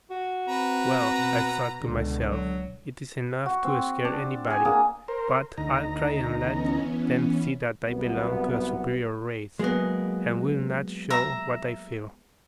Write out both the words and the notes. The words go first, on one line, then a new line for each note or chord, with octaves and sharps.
"Well," I thought to myself, "it is enough to scare anybody; but I'll try and let them see that I belong to a superior race, and will not show what I feel."
F#4
C4 B4 A#5
B2
C#2 B2 D3
F#3
F#4
C4
D4 D5
G#4 G#5
A#3 D4 G#4
A#4 C5
D2 D#4 A#5
E3 B3 C#4
C2 F#3 B3
F#3 G#3 A#3 B3 G#4
E5 A#5